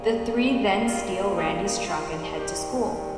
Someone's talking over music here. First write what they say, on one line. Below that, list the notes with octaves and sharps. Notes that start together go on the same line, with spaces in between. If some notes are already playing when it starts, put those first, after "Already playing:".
The three then steal Randy's truck and head to the school.
Already playing: C#3 G3 A#3
F4
D#4
C3 D#3 G3 F4
G4